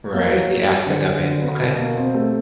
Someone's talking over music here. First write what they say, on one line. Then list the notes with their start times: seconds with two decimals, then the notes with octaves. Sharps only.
Right, the aspect of it. Okay.
0.14 A#3
0.32 F#3
0.50 F#3
0.69 F#3
0.87 D3
1.05 F#3
1.23 D3
1.42 B3
1.60 B2
1.77 A#3
1.96 C4
2.14 A3